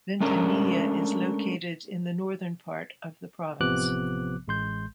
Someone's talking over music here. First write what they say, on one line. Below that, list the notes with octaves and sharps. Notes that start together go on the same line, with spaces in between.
Ventanilla is located in the northern part of the province.
G#3 A3 C#4 D4 A#4
A1 C3 F3 B3 D6 F#6
A1 G#3 C6 G6